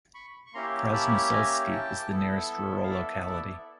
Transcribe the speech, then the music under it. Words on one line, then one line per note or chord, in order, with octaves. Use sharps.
Krasnousolsky is the nearest rural locality.
B5 C#6
C#6
A#3 C#4 E4 G4 A#5 C6
A5 B5
G#5 A#5
G5 A5
B3 E4 A4
F5
D5 E5
D5 E5